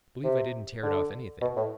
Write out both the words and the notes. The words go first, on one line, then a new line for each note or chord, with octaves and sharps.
I believe I didn't tear it off anything.
C3
D3
B2
A2